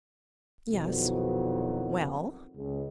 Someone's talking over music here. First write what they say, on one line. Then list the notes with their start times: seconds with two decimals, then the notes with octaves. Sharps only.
"Yes." "Well?"
0.70 C2 F2 B2 D#3 F#3 B3
2.56 C#2